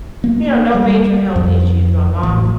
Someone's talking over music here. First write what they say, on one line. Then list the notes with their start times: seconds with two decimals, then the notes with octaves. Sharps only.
You know, no major health issues. My mom
0.24 A#3
0.74 G3
1.36 F2
2.23 A1